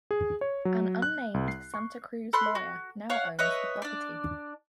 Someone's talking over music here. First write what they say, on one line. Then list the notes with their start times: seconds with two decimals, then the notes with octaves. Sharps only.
An unnamed Santa Cruz lawyer now owns the property.
0.11 G#4
0.41 C#5
0.65 F#3
1.02 F#6
1.34 C2
1.48 C7
1.74 C#6
2.33 A4 B5 C6 F#6
2.55 F#4
3.10 C#5 F5 F#5 C#6
3.39 B4 C#5 D#5 E5
3.82 D4 D5